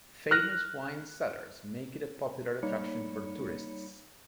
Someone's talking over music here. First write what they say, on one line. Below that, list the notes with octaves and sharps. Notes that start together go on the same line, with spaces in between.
Famous wine cellars make it a popular attraction for tourists.
F6 F#6 A#6
G3 A#3 D#4 C#5 B5 C#7